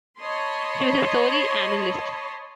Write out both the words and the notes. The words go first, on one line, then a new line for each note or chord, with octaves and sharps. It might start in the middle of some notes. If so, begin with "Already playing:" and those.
She was a story analyst.
C#5 D#5 A5 B5 C6